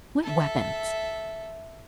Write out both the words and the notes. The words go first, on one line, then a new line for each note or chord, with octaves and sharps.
"What weapons?"
A4 E5